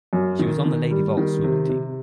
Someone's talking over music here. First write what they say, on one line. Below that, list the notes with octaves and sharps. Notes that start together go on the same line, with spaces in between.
She was on the Lady Vols swimming team.
F#2
D#3
D#3
G3
D#3
C3
C3